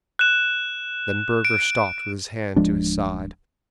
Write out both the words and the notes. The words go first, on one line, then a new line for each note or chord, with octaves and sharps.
Then Burger stopped with his hand to his side.
F#6 E7
D7
D1 F3 G#3 D4